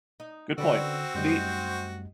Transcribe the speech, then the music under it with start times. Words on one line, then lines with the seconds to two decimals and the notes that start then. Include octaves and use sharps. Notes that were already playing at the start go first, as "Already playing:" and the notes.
good point. The
0.20 D#4
0.58 D3 C4 C#4 F#4 B4 D5 E6
1.15 F#2 G3 A3 D#4 G4 C5